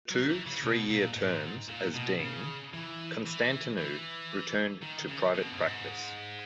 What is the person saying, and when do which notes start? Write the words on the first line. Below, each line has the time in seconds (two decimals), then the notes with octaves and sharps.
After two three-year terms as Dean, Constantinou returned to private practice.
0.11 F#3
0.29 E3
0.46 C#3
0.64 B2
0.90 A#2
1.17 G#2
1.69 A#2
1.95 B2
2.20 C#3
2.74 E3
3.26 E3
3.78 E3
4.82 D#3
5.08 C#3
5.35 B2
5.51 F#2
5.60 G#2